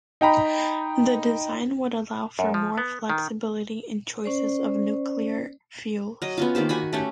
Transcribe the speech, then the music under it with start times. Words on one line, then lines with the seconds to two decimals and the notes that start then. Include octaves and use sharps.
The design would allow for more flexibility in choices of nuclear fuels.
0.21 D#4 G5 A#5 B5
2.39 F#2
2.54 F3
2.78 B3
3.10 D#3
4.24 C#4 C5 D5
6.22 F#3 D#5
6.37 B3 C#4 F4
6.55 D#3 A#3 G4 C5
6.69 F#4 G#5 B5
6.93 A3 C#4 G4